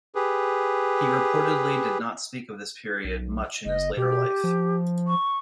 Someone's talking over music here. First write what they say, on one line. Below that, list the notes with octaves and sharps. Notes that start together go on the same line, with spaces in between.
He reportedly did not speak of this period much in his later life.
G4 G#4 B4
B1
F#1 D#5
B2 G4
F3
C#6